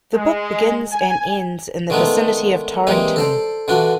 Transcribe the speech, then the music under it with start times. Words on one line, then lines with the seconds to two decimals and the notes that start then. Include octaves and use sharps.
The book begins and ends in the vicinity of Torrington.
0.14 G#3
0.91 G#5
1.90 D3 D#3 G#3 A3 B3 D#4
2.87 E3 G3 G#3 A#3 C4 D#4
3.16 A4 C5 D5
3.68 D3 E3 D4 F4 F#4